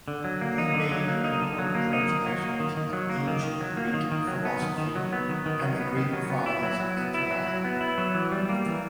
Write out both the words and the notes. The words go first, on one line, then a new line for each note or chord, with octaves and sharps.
He made important translations of ancient Greek philosophy and the Greek Fathers into Latin.
D3
F#3
A#3
D#4
D3
F#3
A#3
D#4
D3
F#3
A#3
D#4
D#3
F#3
A#3
D#3
D#3
F#3
A#3
D#3
D#3
F#3
A#3
D#3
D#3
F#3
B3
D#3
D#3
F#3
B3
D#3
D#3
F#3
B3
D#3
F#3
B3
E4
F#3
F#3
B3
E4
F#3
F#3
B3
E4
F#3
E3
G3
A#3
E3